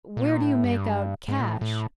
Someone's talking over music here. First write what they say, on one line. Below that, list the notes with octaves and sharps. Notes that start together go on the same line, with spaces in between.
"Where do you make out cash?"
A#2
A2
G2
G#2
A#2
A2
A2